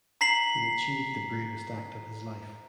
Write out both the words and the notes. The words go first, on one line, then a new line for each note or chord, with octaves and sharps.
He achieved the bravest act of his life.
A#5 B6 C7 F#7